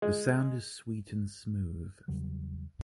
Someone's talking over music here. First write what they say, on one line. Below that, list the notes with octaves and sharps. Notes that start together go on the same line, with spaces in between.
The sound is sweet and smooth.
G#3
E2 C#3 F#3 G3